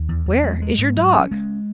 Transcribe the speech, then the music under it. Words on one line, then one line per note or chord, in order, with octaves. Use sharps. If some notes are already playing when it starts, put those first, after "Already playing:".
"Where is your dog?"
Already playing: D#2
E2
E2
G#3
G#3
G#2
F#3
C#4
G#3